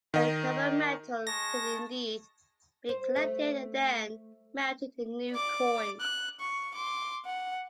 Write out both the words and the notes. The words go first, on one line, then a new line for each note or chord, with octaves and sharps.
The recovered metal could indeed be collected and then melted in new coins.
D#3 D#5
G#3 A5 C#6 A#6
C5
A3
D5 D6
F#6
C#6
C6 D6
F#5